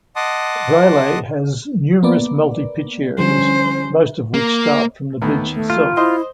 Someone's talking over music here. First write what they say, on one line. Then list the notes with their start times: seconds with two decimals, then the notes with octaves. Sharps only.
Railay has numerous multi-pitch areas most of which start from the beach itself.
0.16 D#5 F#5 A5 C6 D6 D#6
2.03 A#3 B3 D5
3.18 D3 F3 G3 C#4 C5
4.34 A#3
5.22 D#2 A3 B3
5.54 A3
5.70 F4
5.97 E4 C5 D#5 C6